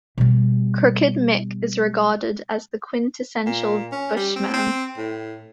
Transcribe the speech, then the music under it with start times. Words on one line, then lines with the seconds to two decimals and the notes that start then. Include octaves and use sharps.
Crooked Mick is regarded as the quintessential bushman.
0.18 B2 G3
3.46 A#2
3.91 C#4
4.16 G3
4.36 C4
4.53 C4
4.97 A2